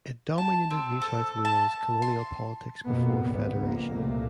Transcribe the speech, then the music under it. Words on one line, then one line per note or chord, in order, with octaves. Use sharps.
It dominated New South Wales colonial politics before federation.
A5
C4
A4
A5
C6
F2 B2 A#3 B3
G#1 C#2 G2 B3
A#1 F2 A#3
C2 A#2 A3 A#3